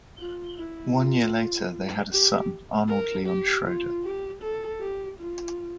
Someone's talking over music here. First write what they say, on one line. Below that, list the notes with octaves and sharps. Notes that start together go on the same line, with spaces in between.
One year later they had a son, Arnold Leon Schroeder.
F4
E4
F4
G4
A#4
G4
F4
G4
A4
G4
F4